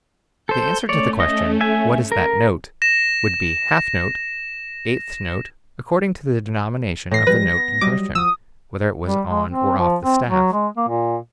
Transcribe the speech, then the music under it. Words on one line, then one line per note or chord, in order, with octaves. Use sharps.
The answer to the question: "What is that note?" would be "half-note," "eighth-note" according to the denomination of the note in question, whether it was on or off the staff.
A4 C5 G6
A3 C#4 C#5 D5
D#5
E5 G#5
A#4
A#6 E7
A2 E3 A#6 C7
F3 G3 G#3 B4
B3
F#3 G3 D#5 D6
F3 F#4 D#6 E6
G3
G#3
C4
F3
C4
F#3
G#3
A#3
A#2